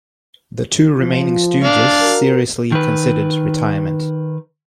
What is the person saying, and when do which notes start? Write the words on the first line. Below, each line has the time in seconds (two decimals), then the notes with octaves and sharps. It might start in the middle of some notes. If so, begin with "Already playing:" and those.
The two remaining Stooges seriously considered retirement.
1.00 F3 F4
1.64 D4 F5 A5
2.01 F#4 A#4
2.72 D#3 B4